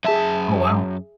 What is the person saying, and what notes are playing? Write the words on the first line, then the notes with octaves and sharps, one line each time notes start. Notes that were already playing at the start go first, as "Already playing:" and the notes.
Oh, wow.
F#2 G#4 E5 A5